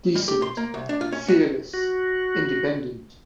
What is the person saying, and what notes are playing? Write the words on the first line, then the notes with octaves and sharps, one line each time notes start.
Decent, fearless, independent.
G3
G4
C6
A#3
C2
D4
F4
C#4
F#4
F#4